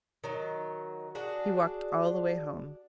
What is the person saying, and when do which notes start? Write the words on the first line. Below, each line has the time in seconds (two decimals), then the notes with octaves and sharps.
He walked all the way home.
0.24 D#3 F#3
1.15 D4 F#4 G#4